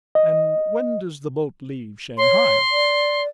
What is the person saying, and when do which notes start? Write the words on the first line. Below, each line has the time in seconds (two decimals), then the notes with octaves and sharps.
"And when does the boat leave Shanghai?"
0.15 D#5
2.17 C#5 C6
2.70 D5